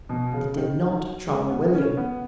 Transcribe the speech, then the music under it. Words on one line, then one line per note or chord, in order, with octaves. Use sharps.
It did not trouble William.
B2
C#3
D#3
F#3
G#3
B3
C#4
B3